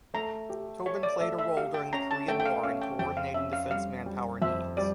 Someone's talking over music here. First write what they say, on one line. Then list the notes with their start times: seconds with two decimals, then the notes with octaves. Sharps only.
Tobin played a role during the Korean War in coordinating defense manpower needs.
0.14 A3 A#5
0.50 G4
0.86 G4 C#5
1.03 D5
1.20 A3 E5
1.39 E5
1.57 G4 F5
1.74 G5
1.93 C#4 A#5
2.11 A5
2.28 A3 G5
2.40 G5
2.46 F5
2.64 C#4 F5
2.82 G5
2.99 F2 G5
3.17 F5
3.34 C#4 E5
3.53 F5
3.70 G3 F5
4.06 G3
4.42 F2 E5
4.77 G3 D5